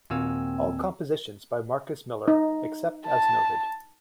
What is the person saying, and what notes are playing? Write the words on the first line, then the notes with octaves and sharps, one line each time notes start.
All compositions by Marcus Miller, except as noted.
D#2 A#2 C4 F#4 F5 G#5 E6
D#4
A5